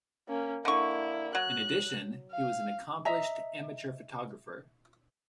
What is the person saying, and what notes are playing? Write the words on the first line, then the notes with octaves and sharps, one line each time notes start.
In addition, he was an accomplished amateur photographer.
A#3 C#4
D3 A#3 E4 C#6
F#3 F#6
F5
D#5 E5 A#5